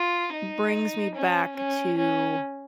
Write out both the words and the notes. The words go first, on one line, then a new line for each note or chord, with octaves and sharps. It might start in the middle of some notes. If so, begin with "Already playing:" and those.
brings me back to
Already playing: F4
D#4
C#4
C#4
C#4